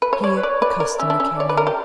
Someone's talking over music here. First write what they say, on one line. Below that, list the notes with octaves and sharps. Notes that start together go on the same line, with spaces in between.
Here a customer came in.
B4
C#5
C#5 D5
B4
D5
C#5
B4 D5
A#4
C#4 E5
D4
C#4
C#5 D5
B4
A#4
G4